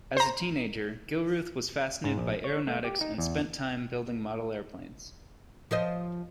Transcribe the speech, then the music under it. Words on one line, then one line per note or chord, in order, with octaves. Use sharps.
As a teenager, Gilruth was fascinated by aeronautics and spent time building model airplanes.
C5 A#5
G#2
A#1
C#5
A3
G4
D#4
E2
F3 C5 D#5